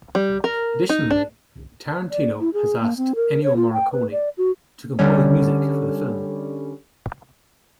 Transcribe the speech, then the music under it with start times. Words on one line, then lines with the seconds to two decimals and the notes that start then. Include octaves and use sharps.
Additionally, Tarantino has asked Ennio Morricone to compose music for the film.
0.15 G3
0.44 A#4
0.89 D#4
1.11 D4
2.11 D5
2.41 E4
2.54 G#4
2.81 A#3
2.97 C4
3.15 A#4
3.44 C#5
3.56 F4
3.73 G5
3.93 B4
4.12 D5
4.38 F#4
4.99 D3 G3 C#4